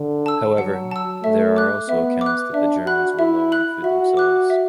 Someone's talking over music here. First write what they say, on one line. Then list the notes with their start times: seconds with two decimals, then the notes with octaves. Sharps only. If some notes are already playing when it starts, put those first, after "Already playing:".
However, there are also accounts that the Germans were low on food themselves.
Already playing: D3
0.26 A5 E6
0.58 F#3 F#5
0.91 A5 E6
1.24 A3 E5
1.56 D6 F#6
1.89 B3 E5
2.21 D6
2.26 F#6
2.54 D4 E5
2.86 F#4 B5 F#6
3.19 E4 E5
3.52 B5 F#6
3.84 F#4 E5
4.17 D6 F#6
4.50 E5